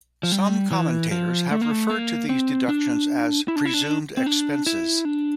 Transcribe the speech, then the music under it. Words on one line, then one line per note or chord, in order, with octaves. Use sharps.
Some commentators have referred to these deductions as "presumed expenses".
F3
G3
E3
F3
A3
A#3
A3
A#3
C4
D4
E4
D4
E4
D4
C4
D4
E4
D4